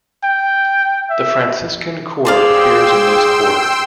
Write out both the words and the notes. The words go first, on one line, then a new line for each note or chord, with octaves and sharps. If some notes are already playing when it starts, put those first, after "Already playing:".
The Franciscan cord appears in this quarter.
G5
E5
G#4 C5 D5 F5 G5 C6 E6